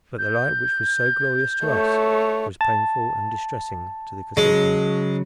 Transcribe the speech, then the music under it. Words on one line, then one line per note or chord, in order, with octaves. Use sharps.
But the light which was so glorious to us was painful and distressing to the Kosekin.
G6
A3 C#5
A5
C#3 F#3 G#3